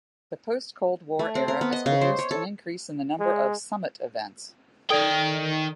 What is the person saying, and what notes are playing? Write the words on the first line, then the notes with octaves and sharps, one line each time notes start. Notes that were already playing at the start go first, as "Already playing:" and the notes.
The post-Cold War era has produced an increase in the number of "summit" events.
A3
C4
A#4
B3
D#5
C#3
C5
C#5
A4
G#3
D#3 A4 D5 G5